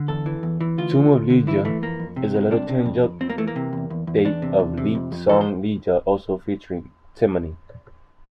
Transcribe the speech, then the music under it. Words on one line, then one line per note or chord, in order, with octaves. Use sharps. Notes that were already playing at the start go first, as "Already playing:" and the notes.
"Tomb of Liegia" is a little-changed update of leaked song "Ligeia", also featuring Timony.
Already playing: D3
E2 A4
E3
E2
E3
D2 F4
D2
D2
D3
E3 E4
E3 A3
F2 A#3
F2
C3
C2
C3 D4
C3
F2
F2
F2 C4
A#3
E3 A3
A#3
C3
E2
E2
E2
E2 D4
C3
E2
C3
F2
F2
E3 A4
C5